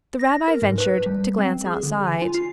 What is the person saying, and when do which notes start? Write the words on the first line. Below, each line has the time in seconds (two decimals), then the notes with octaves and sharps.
The rabbi ventured to glance outside.
0.19 A#6
0.48 A#4
0.62 G#2
0.78 B4
1.06 G3
1.38 C4
1.66 G#4
1.83 D3
2.07 G#5
2.22 F4
2.34 C7